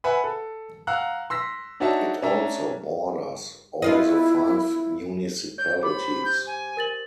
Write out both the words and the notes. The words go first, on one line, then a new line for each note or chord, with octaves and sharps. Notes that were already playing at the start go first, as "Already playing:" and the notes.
It also borders all the five municipalities.
B4 E5 F#5 G#5 B5
A4
F5 F#5 A#5 E6 F#6
C6 E6 A#6 B6
D4 D#4 F#4 C#5 E5 A5
C#4 D4 E5 A#5
B3 E4 F4 D#5
C#5 G6
G4 C5 B5 D6
G6
G#5
A#4 A6 F#7